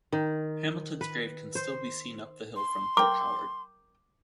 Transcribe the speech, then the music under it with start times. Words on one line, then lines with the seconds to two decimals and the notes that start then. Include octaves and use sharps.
Hamilton's grave can still be seen up the hill from Port Howard.
0.12 D#3
1.01 B4
1.55 C5
2.56 C6
2.97 A#4 G5 D6